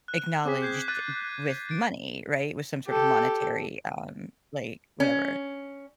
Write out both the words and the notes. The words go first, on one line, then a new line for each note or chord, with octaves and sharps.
acknowledged with money, right? With some sort of monetary, um, like, whatever.
F#6
C4 G#4 D6 B6
G6 G#6 C7
F#6 A6 D#7
A6 D7
G4 A4
C#4